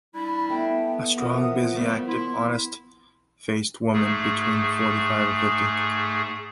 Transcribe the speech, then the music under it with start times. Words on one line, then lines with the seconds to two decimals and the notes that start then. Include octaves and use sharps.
A strong, busy, active, honest-faced woman between forty-five and fifty.
0.15 G3 D4 E4 B5
0.50 A3 B3 G5
1.20 E3 F3 A#4 F#5 D#6
1.75 C#3 G3 A3 A#4 D5 F5
2.08 E4 C6
3.93 G#2 A3 G#4